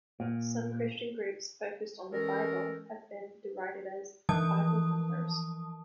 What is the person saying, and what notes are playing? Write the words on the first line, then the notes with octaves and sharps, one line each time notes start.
Some Christian groups focused on the Bible have been derided as "Bible thumpers".
A#2
E3 G#3 C#4 A4 A#4
E3 F3 A5 D#6